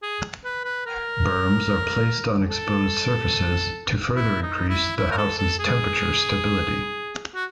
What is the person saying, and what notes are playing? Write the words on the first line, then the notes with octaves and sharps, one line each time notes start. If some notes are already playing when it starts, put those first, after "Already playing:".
Berms are placed on exposed surfaces to further increase the house's temperature stability.
G#4
B4
B4
A#4
A4
E4
D#4
E4
E4
A#4
A4
A4
G#4
F#4